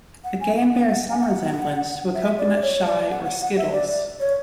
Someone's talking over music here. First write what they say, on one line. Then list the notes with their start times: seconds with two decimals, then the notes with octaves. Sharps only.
The game bears some resemblance to a coconut shy or skittles.
0.24 F#5
0.40 G#5
0.56 F#5
1.10 G#5
1.20 F#5
2.15 E5
2.38 D5
2.62 C#5
2.86 D5
3.10 F#5
3.25 F#5
3.41 F#5
3.57 E5
3.73 D5
3.88 D5
4.20 C#5